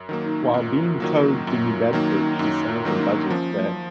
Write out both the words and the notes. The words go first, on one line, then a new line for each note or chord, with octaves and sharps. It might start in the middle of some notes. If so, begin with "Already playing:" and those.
While being towed to New Bedford, she sank in Buzzards Bay.
Already playing: F#2
D#3 F#3 A#3
D#4
F#2 F4
D#3 F#3 A#3
F#2 F4
D#3 F#3 A#3 D#4
F#2 D#4
F4
D#3 F#3 A#3
D#4
F3 C#4
A3
F#3